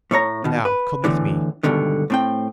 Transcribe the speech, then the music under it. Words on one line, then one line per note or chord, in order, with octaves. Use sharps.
Now, come with me.
A2 A3 C#5 A#5
B2 D#3
B4
E2 A2 D3 E3
C#2 G2 B2 D3 D#3
A2 C4 G5